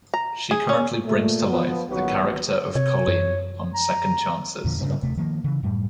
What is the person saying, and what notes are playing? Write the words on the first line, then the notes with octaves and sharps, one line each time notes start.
She currently brings to life the character of Colleen on "Second Chances".
A#5
G#4
C#4
A#2 A3
F3 B3
A#1 D#3 F#3 B3 F#4 B4
C3 C#5
F#2
A#5
E2 A#2 D3 F3
G2 C#3
D#1 C3 A3
D#3 F3 A#3
C#3 E3
F#2 A2 G3